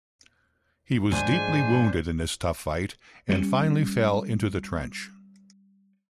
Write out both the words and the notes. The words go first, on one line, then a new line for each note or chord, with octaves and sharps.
He was deeply wounded in this tough fight and finally fell into the trench.
G#2 F3 G#3 A3 D4 C5 G#5
G3 G#3 C#4